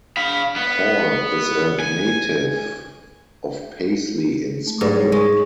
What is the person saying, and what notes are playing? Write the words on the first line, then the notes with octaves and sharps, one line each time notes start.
Hall is a native of Paisley in Scotland.
F5 B5
B3
G#5
A3
G#2 F#3
G3 G#3 C#5
G#3 C#6